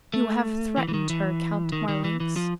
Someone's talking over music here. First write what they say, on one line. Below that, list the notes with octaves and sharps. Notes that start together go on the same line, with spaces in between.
"You have threatened her, Count Marlanx."
A3
E3
E3
D#3
E3
D#3
D#3
E3
E3
F3